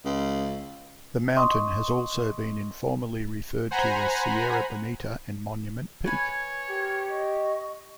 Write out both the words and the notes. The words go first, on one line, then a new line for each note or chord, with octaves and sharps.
The mountain has also been informally referred to as Sierra Bonita and Monument Peak.
C#2
D#5 C6 C#6 D#6
C5 F#5 G#5 A#5 B5
B4 C#5 G#5
G4 A#4 G#6
D#5 C#6